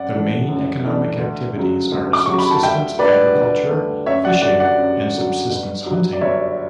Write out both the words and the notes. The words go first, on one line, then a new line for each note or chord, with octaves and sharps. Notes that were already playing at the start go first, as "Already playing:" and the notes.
The main economic activities are subsistence agriculture, fishing and subsistence hunting.
Already playing: F#2 D5 F#5
E3 A3 D4
F#2
E3 A3 D4
D2
C#3 F#3
D2
D6
C#3 F#3 C#6
B5
A5
D2 E5 G5
D3 A3 D4 B4 D5
D2
D3 A3 D4
F#2 C#5 E5
D5 F#5
D3 F#3 D5 F#5
D5 F#5
F#2
D3 F#3
G1
G2 F#3
D5
G1 C#5 E5